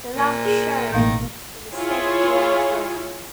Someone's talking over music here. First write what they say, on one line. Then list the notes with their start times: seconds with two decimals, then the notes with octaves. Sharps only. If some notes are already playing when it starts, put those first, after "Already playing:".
The lamp shone with a steady green flame.
0.16 A#2
0.45 G#4
0.92 A1 B2 D#3 A#3 F5 G6
1.74 E4 F4 G#4 C#5